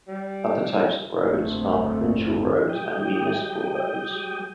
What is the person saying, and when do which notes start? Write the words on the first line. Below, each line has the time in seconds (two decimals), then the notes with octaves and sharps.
Other types of roads are provincial roads and municipal roads.
0.08 G3
1.14 F#1 D2 G#2 A3 C4
2.69 F#3 G#3 G4 G5 D#6 G6